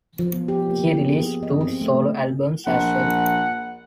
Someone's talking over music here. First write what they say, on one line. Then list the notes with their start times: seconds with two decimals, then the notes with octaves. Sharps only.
Key released two solo albums as well.
0.19 F3
0.33 B3
0.48 G4
0.70 A#3
0.93 B3
1.11 G#4
1.43 D#5
1.61 C4
1.81 A3
2.67 A#1 F#5